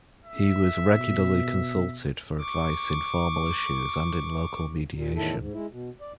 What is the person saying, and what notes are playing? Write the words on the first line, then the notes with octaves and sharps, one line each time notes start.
He was regularly consulted for advice in formal issues and in local mediation.
E5
B2
C#6 D6
A#2
E2 A2 D#3 E4 A4
G#2
G#3 E4
B2
D5